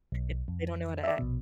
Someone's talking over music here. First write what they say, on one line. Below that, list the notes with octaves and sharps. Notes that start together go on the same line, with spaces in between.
eh, they don't know how to act.
B1
F2
D5 E5
A#1 B2